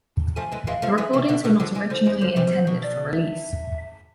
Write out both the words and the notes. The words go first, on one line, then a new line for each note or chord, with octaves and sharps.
The recordings were not originally intended for release.
F3 A3 G#5
E3 G#3
E3 G#3 F5
F3 A3
E3 G#3 E5
C3 E3
B2 D3
B2 D3
D3 F3
E3 G#3
D3 F3 C5
E3 G#3
D3 F3 C5
C3 E3
B2
C3
B2
D5
E5